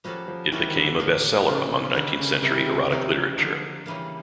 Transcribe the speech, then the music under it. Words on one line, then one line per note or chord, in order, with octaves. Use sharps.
It became a bestseller among nineteenth century erotic literature.
F3 G3 A#3 C#4 F#4 A4
F3
E3 G3 A#3 C#4 F#4 A4
D#3
D3
A2 F3 A#3 D4
A2 C#3 F3 A#3 D4
C#3
D3 D#3 G3 A#3
C#3
C3 D#3 G3 A#3
C3
C3 F3 A#3 D#4
C#3
D3 F3 A#3 D#4
C#3 E3 G3 A#3